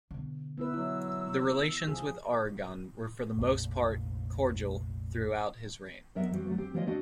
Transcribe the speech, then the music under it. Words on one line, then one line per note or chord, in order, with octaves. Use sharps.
The relations with Aragon were for the most part cordial throughout his reign.
B2 D3
B3 E4 B4 E6
F#3 E4
C3 F3 G#4
F1 A#1
F#3 B3 A#4 D#5 E5
E3 G3 C4 F#4
D3 F#3 A3
C4 G4
E3 A#3 F4 A#4 C#5 D#5
D2 C4 D4 F#4 D#5